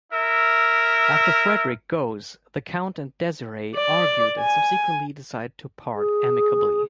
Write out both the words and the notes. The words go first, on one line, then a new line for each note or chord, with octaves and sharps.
After Fredrik goes, the Count and Desiree argue and subsequently decide to part amicably.
E4 A#4 E5
D5
G#5
G#4